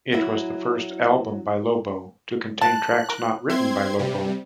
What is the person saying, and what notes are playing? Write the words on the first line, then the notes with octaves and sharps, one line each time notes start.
It was the first album by Lobo to contain tracks not written by Lobo.
F#3 E4
A5 F#6
A#4
C4 E5 C6 G#6
C3 G3